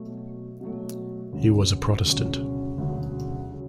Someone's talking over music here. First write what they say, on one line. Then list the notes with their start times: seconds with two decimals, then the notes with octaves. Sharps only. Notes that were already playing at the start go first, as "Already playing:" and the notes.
He was a Protestant.
Already playing: B2 F#3 A3
0.60 B2 F#3 A3
1.33 E1 D2 C#3 F#3 C#4
2.05 E1 D2 C#3 F#3 C#4
2.77 E1 D2 C#3 F#3
3.51 C#3 F#3